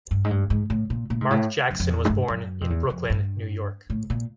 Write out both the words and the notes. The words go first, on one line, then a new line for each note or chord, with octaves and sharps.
Mark Jackson was born in Brooklyn, New York.
G2
G#2
G2
G#2
A2
A#2
A#2
G#2
A2
F#2
F2
E2
G#2
G2
F#2
F2
E2
F2
G2
A2
A#2